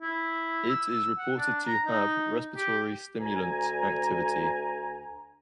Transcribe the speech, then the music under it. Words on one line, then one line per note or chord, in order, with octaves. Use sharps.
It is reported to have respiratory stimulant activity.
E4
E6
F#5
D4
A#5
D#4
G4
D2 G#5 A#5